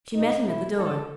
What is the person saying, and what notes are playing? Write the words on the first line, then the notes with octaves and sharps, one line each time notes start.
She met him at the door.
B2 G#3 D#4
B2 A3 E4
G#2 D#3 A3 A4